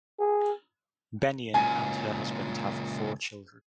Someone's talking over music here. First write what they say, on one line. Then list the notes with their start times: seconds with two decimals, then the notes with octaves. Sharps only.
Bennion and her husband have four children.
0.19 G#4
1.54 C#2 A#2 G#5